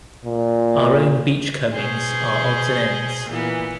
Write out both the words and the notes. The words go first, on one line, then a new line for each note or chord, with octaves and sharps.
Our own beachcombings are odds and ends.
A#2
B2 G#4 C5
A#2 E3 B3